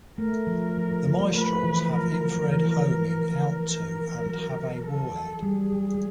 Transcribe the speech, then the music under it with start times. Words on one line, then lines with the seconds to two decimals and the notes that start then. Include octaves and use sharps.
The Mistrals have infrared homing out to and have a warhead.
0.18 A3 A#4
0.47 F3
0.77 F3
0.91 F3
1.06 F3
1.20 A#3
1.34 A3 B4
1.64 E3
1.93 F3 A#4
2.07 F#3
2.37 F#3
2.51 E3
2.80 F3
3.68 A#4
4.26 F#3
4.84 A4
5.43 G3 G#4
5.72 F#3
5.95 G#3